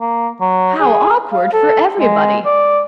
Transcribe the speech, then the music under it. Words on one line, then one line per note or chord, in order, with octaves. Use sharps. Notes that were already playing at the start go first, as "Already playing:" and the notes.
How awkward for everybody!
A#3
F#3
G#4
F5
A4
G#3
D5